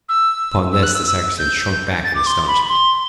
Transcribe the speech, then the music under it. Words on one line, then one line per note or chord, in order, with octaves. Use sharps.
Upon this the sacristan shrunk back in astonishment.
E6
E6
F#6
E6
E6
G6
A6
D6
C6
B5
B5
C6